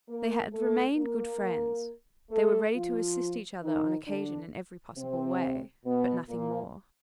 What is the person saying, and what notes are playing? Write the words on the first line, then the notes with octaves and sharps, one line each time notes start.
They had remained good friends; they were ready to assist each other on occasion in every possible way; but nothing more.
A#3 A#4
A3 A4
A#3 A#4
A3 A4
F3 F4
D#3 D#4
D3 D4
C3 C4
B2 B3
A#2 A#3